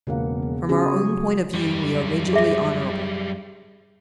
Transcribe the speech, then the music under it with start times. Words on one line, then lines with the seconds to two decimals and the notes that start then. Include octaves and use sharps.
From our own point of view we are rigidly honourable.
0.07 E1 C#3 A#3 B3 F5 F#5
0.43 F3
0.69 C#3 F#4 G#4
0.96 F#3
1.54 F#2 G3
2.33 G#4 E5